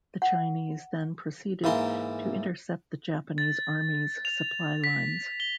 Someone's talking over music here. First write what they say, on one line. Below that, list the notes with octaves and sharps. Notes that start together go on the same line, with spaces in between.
The Chinese then proceeded to intercept the Japanese army's supply lines.
F#5
G#2 E3 A#3 C6
A6
F7
B6
G7